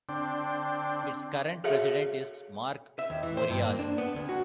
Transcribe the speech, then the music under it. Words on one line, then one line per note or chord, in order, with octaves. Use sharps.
Its current President is Marc Morial.
D3 C4 D4 G5
F#4 G#4 A4 C#5 E5 F5
E5
D#2
E3
C5
G2
A#3
D4
B3
D2
F#4